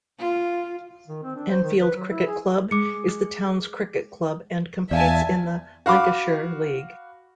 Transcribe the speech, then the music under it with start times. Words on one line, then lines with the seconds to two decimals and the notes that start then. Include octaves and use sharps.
Enfield Cricket Club is the town's cricket club and competes in the Lancashire League.
0.19 F4
1.07 D#3
1.23 C4
1.36 D4
1.48 C5
1.63 D#3
1.79 B4
1.94 F#3
2.10 E4
2.26 G#4
2.71 G#3 D6 C#7
4.91 E2 D5 E5 F5 G#5 A5
5.86 F#4 F5 B5 D6